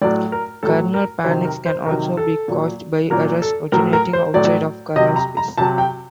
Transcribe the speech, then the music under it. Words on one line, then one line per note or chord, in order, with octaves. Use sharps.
Kernel panics can also be caused by errors originating outside of kernel space.
A2 F#3 D5
A#4
A2 F#3 A4
A#4
C3 D#3 F#3 C5
A#4
C5
C3 D#3 F#3 A#4
A4
A#2 F#3
A#2 F#3 A#4
A4
A2 F#3 A#4
A#4
C5
A2 F#3 D5
C3 F#3 D#5
A#5
A#5
C3 F#3 A5
G5